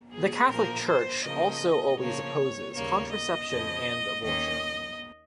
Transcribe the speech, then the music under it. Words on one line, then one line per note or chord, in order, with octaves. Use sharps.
The Catholic Church also always opposes contraception and abortion.
G#4
A#2 F3 A#3 A#4
C5
C#3 F3 A#3 D#5
C#3 F3 A#3 C#5
D#2 C#3 G3 A#3 C#5
D#5
F2 C#3 F3
D#2 D#3 A#3 C#4 D#5